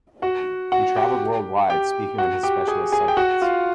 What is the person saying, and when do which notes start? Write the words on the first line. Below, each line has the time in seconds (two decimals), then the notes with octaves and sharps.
He traveled worldwide, speaking on his specialist subjects.
0.22 F#4 F#5
0.72 F#4 F#5
0.96 G4 G5
1.70 G4 G5
2.18 F#4 F#5
2.43 G4 G5
2.68 G#4 G#5
2.92 G#4 G#5
3.08 G5
3.17 F#4 F#5
3.42 F4 F5